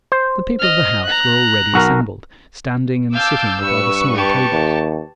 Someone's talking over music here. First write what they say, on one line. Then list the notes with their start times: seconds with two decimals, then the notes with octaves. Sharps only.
The people of the house were already assembled, standing and sitting by the small tables.
0.12 C5
0.60 D#5 F6
1.05 A#5 F#6
1.74 B1 F#4 A#4
3.14 F5 A5 D6 E6 G6
3.60 G2 B4 C#6 E6
4.13 G4 A5
4.52 D#2